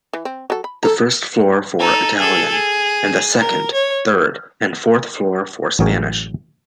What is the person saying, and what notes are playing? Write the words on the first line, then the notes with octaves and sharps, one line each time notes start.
The first floor for Italian, and the second, third, and fourth floor for Spanish.
E3
C4
F#3 A4
B5
A4 A#5
D#4 A4
G#4 A4
G#4
A#4
C#5
A1 F#3 G#4 A#4 C#5 G5